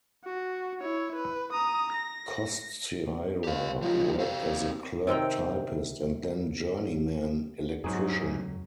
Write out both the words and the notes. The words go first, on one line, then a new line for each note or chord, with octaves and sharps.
Kostyra worked as a clerk-typist and then journeyman electrician.
F#4
E4 C#5
B4
A#5 D#6
A#6
G4 F5
F3 F#3 G#3 F4
C3 C4 F#4 F5
C3 D#3 C4 G5
F2 G#2 F#3 G#4